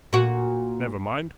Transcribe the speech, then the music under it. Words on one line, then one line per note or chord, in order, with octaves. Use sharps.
Never mind.
A#2 F#4